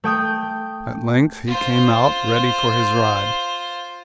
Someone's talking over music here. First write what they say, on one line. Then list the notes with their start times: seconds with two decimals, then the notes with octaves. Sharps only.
At length he came out, ready for his ride.
0.04 A3 G5 D#6 G6
1.47 F4 C5